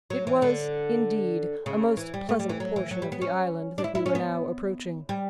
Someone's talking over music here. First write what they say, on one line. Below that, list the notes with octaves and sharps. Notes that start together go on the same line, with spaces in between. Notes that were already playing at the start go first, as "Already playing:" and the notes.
It was, indeed, a most pleasant portion of the island that we were now approaching.
F#3
E3
D3
C#3
E3
G3
A3
G3
E3
F#3
E3
F#3
G3
B3
C#4
D4
E4
E4
C#4
B3
G3